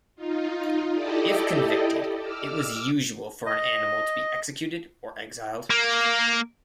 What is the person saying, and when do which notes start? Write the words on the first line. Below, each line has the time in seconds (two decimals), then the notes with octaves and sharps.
If convicted, it was usual for an animal to be executed, or exiled.
0.16 D#4 F4
0.94 E4 G4 A4 D5 D#5
2.16 D6 E6 F6
3.46 D#5
5.70 A#3